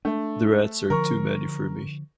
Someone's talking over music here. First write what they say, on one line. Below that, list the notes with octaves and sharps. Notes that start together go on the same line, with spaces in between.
The rats are too many for me.
A3 D4
D3 F3 A#4 C#6